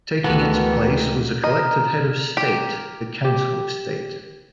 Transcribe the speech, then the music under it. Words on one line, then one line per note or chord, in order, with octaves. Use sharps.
Taking its place was a collective head of state, the Council of State.
D2 E3 G#3 B3 F#4 G4 A4 A#4
A#4 D#5
G4
G4